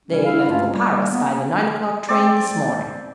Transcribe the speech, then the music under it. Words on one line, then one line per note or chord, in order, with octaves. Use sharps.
"They left for Paris by the nine o'clock train this morning."
C3 E3 G3 C#4
E4 F5
G2 G#3 A3 C#4 F4
G3 A#3
A#3 B3
C4 D5